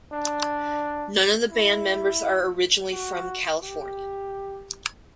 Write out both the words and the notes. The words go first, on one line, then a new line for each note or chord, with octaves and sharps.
None of the band members are originally from California.
D4
E4
F#4
G4